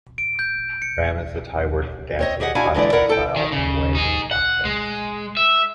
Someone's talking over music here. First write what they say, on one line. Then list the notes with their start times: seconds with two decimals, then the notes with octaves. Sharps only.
"Ram" is the Thai word for dancing in classical style, and "muay" means boxing.
0.18 D7
0.39 G6
0.82 C#7
2.19 C4 C#5 D#5
2.40 G4 G#4 D#5 F#5
2.55 D4 E4 F#4 F5 G#5
2.74 D3 E3 G#3 E4 D5
2.92 E4 A4 A#4 D5 F#5
3.09 A4 G5
3.36 D#3
3.52 C#3
3.95 D#4 G#4
4.31 F#5
4.65 G#3
5.37 E5